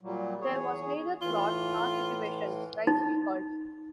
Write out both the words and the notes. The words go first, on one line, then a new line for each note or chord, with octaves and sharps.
"There was neither plot nor situation," Rice recalled.
A#2 F#3 G3
E2 G#4 C#5
A2 E3 F4
D#4